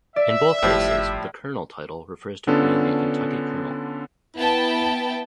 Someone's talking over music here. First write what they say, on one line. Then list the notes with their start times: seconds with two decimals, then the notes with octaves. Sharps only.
In both cases, the "Colonel" title refers to being a Kentucky colonel.
0.16 D5 E5
0.62 G1 A2 F3 G3
2.47 D3 B3 C#4 D4 F4 A4
4.35 B3 E4 G5 A5